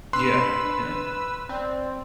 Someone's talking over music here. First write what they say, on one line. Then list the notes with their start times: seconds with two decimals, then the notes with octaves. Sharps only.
Yeah, yeah.
0.13 D4 B4 C6 E6
1.49 C4 D5